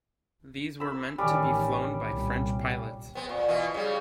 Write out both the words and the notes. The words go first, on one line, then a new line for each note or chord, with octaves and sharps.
These were meant to be flown by French pilots.
B5 E6
A1 D#3 G3 C#4 D5
C2 A#2
B3 C4
A#2
B2 E3 F4
C#3 G3